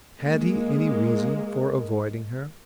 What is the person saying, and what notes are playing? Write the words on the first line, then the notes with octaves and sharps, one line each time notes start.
Had he any reason for avoiding her?
G#3 A#3